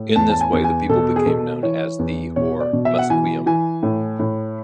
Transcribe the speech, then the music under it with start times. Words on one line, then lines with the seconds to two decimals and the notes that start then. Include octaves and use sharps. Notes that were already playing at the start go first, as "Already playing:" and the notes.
In this way the people became known as the or Musqueam.
Already playing: A2
0.16 E2 A5
0.30 A5
0.41 G#5
0.53 E2
0.64 G#5
0.89 B2 A4
1.16 G#4
1.26 B2 A4
1.63 E3 C#5
1.99 E2
2.36 B2 C#5
2.60 D5
2.73 B2
2.85 E5
2.99 F#5
3.10 E3 G#5
3.46 E3 G#5
3.83 A2
4.19 A2